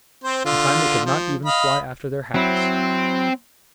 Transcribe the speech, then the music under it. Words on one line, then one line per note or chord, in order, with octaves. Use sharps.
In time they could not even fly after their hats.
C4 C5
D3 F4
F3
D#5 F5 B5
F#3 C4 E4